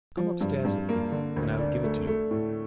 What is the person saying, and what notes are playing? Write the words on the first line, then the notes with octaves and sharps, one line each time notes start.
"Come up-stairs with me, and I will give it to you."
F3
G2
G2
A#3
D3
D2
D4
A3
A3
A2